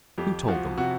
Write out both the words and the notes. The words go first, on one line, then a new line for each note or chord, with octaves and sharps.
"Who told them?"
F2 G4
F3 F#4
C3 F#4